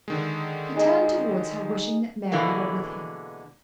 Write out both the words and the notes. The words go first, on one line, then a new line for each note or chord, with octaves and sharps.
He turned towards her, wishing that Mary were with him.
D3 D#3 G#3
D#4 G#4 D#5
B2 D3 E3 G#3 A#3